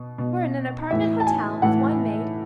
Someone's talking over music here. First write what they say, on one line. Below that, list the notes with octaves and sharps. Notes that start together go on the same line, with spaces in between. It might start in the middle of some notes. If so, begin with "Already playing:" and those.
We're in an apartment hotel, with one maid.
Already playing: B2
B2
A2 E3 E5
A5
G#5
A2 E3 F#5